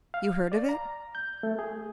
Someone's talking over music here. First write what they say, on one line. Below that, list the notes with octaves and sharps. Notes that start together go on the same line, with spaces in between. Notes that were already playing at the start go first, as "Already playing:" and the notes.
You heard of it?
F5
D5
A#5
G6
A3
G#4